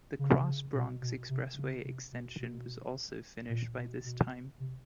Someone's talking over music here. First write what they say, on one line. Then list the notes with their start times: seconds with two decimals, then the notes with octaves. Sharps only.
The Cross Bronx Expressway Extension was also finished by this time.
0.19 C#3
0.31 C3
0.43 C#3
0.74 B2
1.02 B2
1.29 C3
1.57 C#3
1.85 C3
2.12 B2
2.39 B2
3.49 A#2
3.77 B2
4.05 B2
4.60 C3